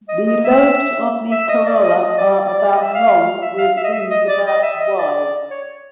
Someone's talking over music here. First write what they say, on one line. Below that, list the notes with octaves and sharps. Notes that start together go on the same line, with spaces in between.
The lobes of the corolla are about long with wings about wide.
D#5
D#5
E5
E5
D#5
D5
D#5
D#5
D5
D5
D5
D5
D#5
E5
F5
E5
F5
E5
D#5
E5
D#5
D5
D#5
E5
D#5
D5
C#5